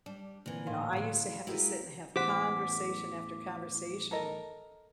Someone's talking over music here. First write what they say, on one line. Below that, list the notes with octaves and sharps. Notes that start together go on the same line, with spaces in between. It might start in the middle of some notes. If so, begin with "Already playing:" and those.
You know, I used to have to sit and have conversation after conversation
G3 D4
A#2 D3 E3 C4
A2 F5 C6
A2 C#3
G#3 A#3 E4 F#4 G4 A#4
A1 E2 G4 C5 F#5 D6 B6
A4 A#4 D#5